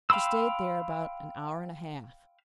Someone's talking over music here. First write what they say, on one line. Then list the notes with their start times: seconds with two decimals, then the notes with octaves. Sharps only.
She stayed there about an hour and a half.
0.10 F5 G5 B5 C6 E6